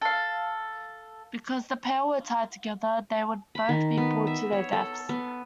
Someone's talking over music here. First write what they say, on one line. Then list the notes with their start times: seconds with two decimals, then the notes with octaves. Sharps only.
Because the pair were tied together, they would both be pulled to their deaths.
0.01 A4 F5
3.55 B5
3.69 D#3
3.97 B3
4.27 E5
4.52 C#5
4.73 A4
5.09 B3